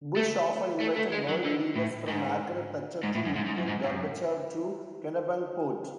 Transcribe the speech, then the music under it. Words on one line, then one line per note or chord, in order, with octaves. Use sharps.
Bush often invited world leaders, from Margaret Thatcher to Mikhail Gorbachev, to Kennebunkport.
A3
A3
A3
G#3
F#3
D3
A2
G#2
G#2
A2
F#2
G#2
G#2
F#2
G#2
F#2